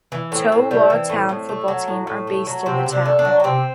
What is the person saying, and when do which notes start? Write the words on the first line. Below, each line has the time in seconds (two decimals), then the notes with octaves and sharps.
Tow Law Town football team are based in the town.
0.12 E3
0.32 A2 C4
0.52 A2
0.71 G3
0.90 E3
1.09 A2
1.29 A2
1.49 A3
1.68 F#3
1.88 A2
2.07 A2
2.27 A3
2.47 F#3
2.66 C3 C4
2.86 C3
2.92 D4
3.06 A3
3.19 D4
3.25 F#3
3.40 D4
3.44 C3 C4